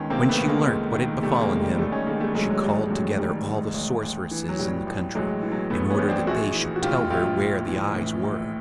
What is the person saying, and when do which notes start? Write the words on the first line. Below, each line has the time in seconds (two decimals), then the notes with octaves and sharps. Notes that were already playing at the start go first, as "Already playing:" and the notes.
When she learnt what had befallen him she called together all the sorceresses in the country in order that they should tell her where the eyes were.
Already playing: C#2 D#3 B3 C#4
0.10 C3 A#3 C4
0.29 A3 B3
0.38 C#2
0.47 G#3 A#3
0.67 C#2
0.94 D#3
1.22 C3 G3 A3
1.41 G#3 A#3
1.50 C#2
1.60 G3
1.78 A1 G3 A3
1.92 C#4 D#4
2.06 D#3 G#3 A#3
2.20 G3 A3
2.35 G#2 F#3 G#3
2.50 F#3
2.62 A1 G3
2.91 A1 F#3
3.18 D#3 G3
3.46 G#2
3.74 A1
4.02 A1
4.31 E3
4.49 F#3
4.59 A2 G3
4.87 A1
5.15 A1 F#3 G#3
5.43 E3
5.52 F#3
5.70 A2 A3 B3
5.90 B3 C#4
5.99 A1
6.09 C4 D4
6.27 A#1 F#4 G#4
6.55 E3
6.76 F#4
6.82 A2 F4 G4
7.10 A#1 F4 G4
7.40 A#1
7.67 E3
7.94 A2
8.24 A#1